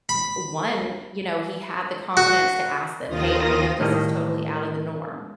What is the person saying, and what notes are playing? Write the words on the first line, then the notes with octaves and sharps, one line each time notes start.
th one, you know, he had the confidence to ask them, "Hey, I know this is totally out of the norm
B5
F#4
D#2 D#3 F4 D#6 A#6
A2 D#3 G3 A#3 D#5